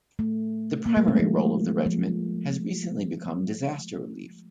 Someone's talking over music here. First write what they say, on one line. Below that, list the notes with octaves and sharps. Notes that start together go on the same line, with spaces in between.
The primary role of the Regiment has recently become disaster relief.
A3
A#3
A3
G#3
F3
F3